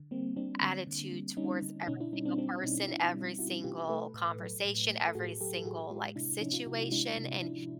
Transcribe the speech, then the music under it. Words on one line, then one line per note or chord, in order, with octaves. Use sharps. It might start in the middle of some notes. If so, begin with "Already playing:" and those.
attitude towards every single person, every single conversation, every single, like, situation, and
Already playing: D3
G3 A#3 C4
G3 C4 D4
D3
D3
G3
G3 C#4 D#4
D3
B2 C#4 D#4
D4 E4
G3 C#4 D#4
C4 D4
G3 C4 D4
B2 C#4 D#4
B2 D4 E4
G3
G3 E4 F#4
B2 F4 G4
A3 A4 B4
A2
F#3
A2
A3
A4
A2 F#4 G#4
F#3 G4 A4
A4
A2 F#4 G#4
G#3 F4 G4
C3 D4 E4
F3 C#4 D#4
D#4 F4
C3 E4 F#4
E4 F#4
G#3 D4 E4
C3
F3 D4 E4